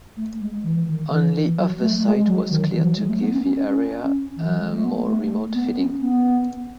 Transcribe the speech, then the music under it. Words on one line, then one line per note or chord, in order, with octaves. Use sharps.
Only of the site was cleared to give the area a more remote feeling.
A3
G#3
E3
D#3
E3
E3
F#3
A3
G#3
F#3
D#3
E3
F#3
G#3
A3
B3
C#4
C#4
C#4
E3
F#3
G#3
A3
B3
A3
A3
B3
C#4
B3